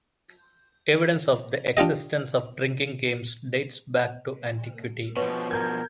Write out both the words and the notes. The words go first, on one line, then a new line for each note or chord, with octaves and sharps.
Evidence of the existence of drinking games dates back to antiquity.
D4 F4 G4 D#5
B2 F3 B4 C#5
A#4 G6 G#6